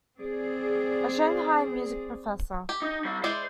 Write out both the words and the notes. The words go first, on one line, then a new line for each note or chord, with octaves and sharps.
A Shanghai music professor.
C4 G#4 D5
G4
D#4
G3 C4
G#3 E4 C5 D5